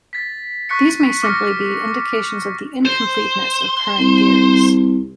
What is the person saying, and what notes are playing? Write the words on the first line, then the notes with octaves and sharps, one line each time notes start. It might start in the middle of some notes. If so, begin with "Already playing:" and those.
These may simply be indications of the incompleteness of current theories.
A6 B6
C#6 F#6 B6 C#7
D6 F6 A#6 C#7
C5
C2